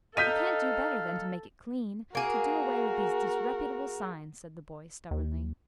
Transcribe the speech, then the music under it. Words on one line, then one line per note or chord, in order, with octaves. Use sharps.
"I can't do better than to make it clean--to do away with these disreputable signs," said the boy, stubbornly.
D#4 A4 F5 G6 B6 D#7
A#3 F#4 G#4 A#4
D#2